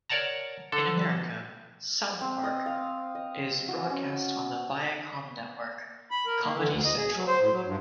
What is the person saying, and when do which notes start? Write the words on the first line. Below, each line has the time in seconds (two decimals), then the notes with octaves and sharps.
In America, "South Park" is broadcast on the Viacom network Comedy Central.
0.10 A#4 C#5 D5 F#5 A5 A#5
0.72 D3 A4
2.21 C4
2.44 D#5
2.66 F5
3.15 D#5
3.68 F#4
3.90 C#4
6.11 B5
6.26 A#4
6.45 A#3
6.57 D3
6.72 D2
6.85 D#5
6.97 G#4
7.15 F#3
7.27 C5
7.40 A2
7.52 F#3
7.66 G2